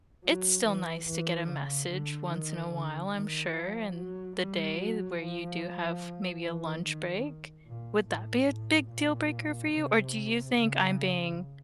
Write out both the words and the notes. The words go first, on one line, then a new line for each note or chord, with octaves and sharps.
It's still nice to get a message once in a while, I'm sure, and the day where you do have maybe a lunch break. Would that be a big deal breaker for you, or do you think I'm being
F#3
E3
E3
C#3
D3
D#3
D3
D#3
F3
F#3
G3
F#3
F3
E3
D#3
A#2
A2
A2
A#2
C3
C#3